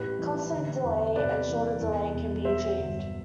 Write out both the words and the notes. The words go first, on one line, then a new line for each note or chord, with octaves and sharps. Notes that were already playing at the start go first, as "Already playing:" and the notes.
Constant delay, and shorter delay, can be achieved.
Already playing: A1 G4 B4
E3
D3
E2
C3 B4 D5
E3
E2
E1
F#3 C5 E5
G1